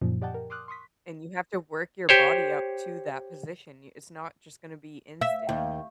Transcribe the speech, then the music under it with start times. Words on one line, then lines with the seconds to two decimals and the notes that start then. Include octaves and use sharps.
and you have to work your body up to that position. Y it's not just gonna be instant.
0.01 F#2 A#2 D#3 F3
0.22 G4 D5 D#5 F#5 G5 A5
0.34 A#4
0.50 C6 D6 D#6 F6 F#6
0.68 C6 C#6 D#6 B6
2.09 G4 C5 C#5
5.21 E5
5.49 D#2